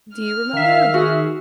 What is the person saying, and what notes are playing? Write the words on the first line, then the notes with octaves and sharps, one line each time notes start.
Do you remember
F6
D#3 E5 F5
F#4 G#4